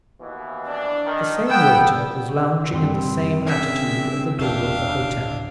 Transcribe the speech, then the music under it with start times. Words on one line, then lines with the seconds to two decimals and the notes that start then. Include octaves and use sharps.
The same waiter was lounging in the same attitude at the door of the hotel.
0.19 D#2 B2 E3
0.67 D4
1.06 D#3
1.48 B3 G5 E6
2.73 F#2 A2 G3 A3 C4 C6
3.46 C#3 C#4 D4 G#4 A#4 E5
4.39 E1 D4 E5 F5 G5
5.00 D1